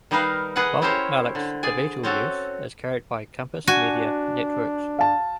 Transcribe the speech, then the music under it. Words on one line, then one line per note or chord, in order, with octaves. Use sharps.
Bob Malik's "The Beatle Years" is carried by Compass Media Networks.
D#3 G3 D#4 A#4 B4 F5
G#4 B4 D#5 F#5
C#4 E4 G4 A#4 C5 C#5
D3
G#4 D5 G#5
C4 C#4 F#4 A4
D4 F#4 G#5
F5 A5